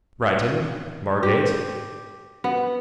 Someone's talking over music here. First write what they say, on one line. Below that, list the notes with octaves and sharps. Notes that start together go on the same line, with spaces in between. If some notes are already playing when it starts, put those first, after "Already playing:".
Brighton, Margate.
G4
B3